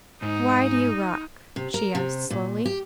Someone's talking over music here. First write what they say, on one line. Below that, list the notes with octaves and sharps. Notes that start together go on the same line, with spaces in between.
"Why do you rock?" she asked slowly.
G#2 D#4
C3
A#4
C3
A#2
G4